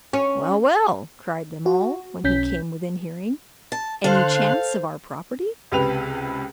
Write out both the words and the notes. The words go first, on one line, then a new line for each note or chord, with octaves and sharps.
"Well, well," cried them all, when he came within hearing, "any chance of our property?"
C#4
F#4
B1 C#4 G6 B6
A5
D3 A4 C5 F5 C6 F#6
C#2 C3 B4 G5 F7